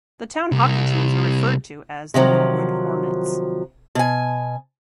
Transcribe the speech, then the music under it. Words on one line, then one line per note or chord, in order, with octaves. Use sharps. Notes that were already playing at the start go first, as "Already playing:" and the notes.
The town hockey teams are referred to as the Norwood Hornets.
C2
C3 D#3 F3 F#3
B2 G#5